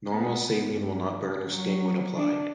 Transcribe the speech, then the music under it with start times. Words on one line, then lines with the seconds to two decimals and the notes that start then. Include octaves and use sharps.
Normal saline will not burn or sting when applied.
0.12 B3
0.73 G2
1.49 F#3
2.16 D4